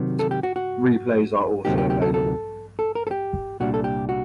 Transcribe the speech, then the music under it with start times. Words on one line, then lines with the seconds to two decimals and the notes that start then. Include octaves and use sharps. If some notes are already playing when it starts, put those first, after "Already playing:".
Replays are also available.
Already playing: C3 D#3 F#3
0.19 A4
0.31 G4
0.43 F#4
0.56 F#4
1.65 D2 C3 F#3 A#3 D#4 G4
1.78 G4
1.90 G4
2.02 A4
2.14 A4
2.79 A4
2.95 A#4
3.07 A4
3.11 G4
3.60 C2 A#2 G3 D4 F#4
3.74 A4
3.84 G4
4.09 F#4